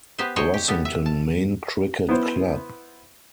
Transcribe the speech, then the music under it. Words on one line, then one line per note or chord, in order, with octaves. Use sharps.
Rossington Main Cricket Club.
B3 G4 B4 C5
C5 C#5 D#5 G5
G4
B3 G4 A4
E5
A5
B3 E4 C5